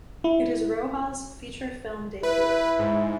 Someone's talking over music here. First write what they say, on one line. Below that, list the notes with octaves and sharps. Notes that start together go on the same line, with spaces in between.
It is Rohal's feature film debut.
E4
E4 B4
G#2